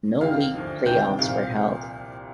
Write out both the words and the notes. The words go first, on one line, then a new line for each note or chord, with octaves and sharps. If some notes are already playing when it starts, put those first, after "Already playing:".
No league playoffs were held.
D#2 D#3 F5 F6
D2 D3 F3
D2 C3 D#3 G5 G6
C2 A#2 F3 F5 F6